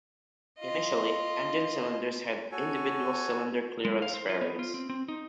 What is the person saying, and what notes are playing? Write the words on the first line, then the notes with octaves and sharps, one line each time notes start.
Initially, engine cylinders had individual cylinder clearance fairings.
F4 D#5
F#4 A4 C#5 G#5
G#3
F5
C5
F4
B3
F4
C4
C4
D#4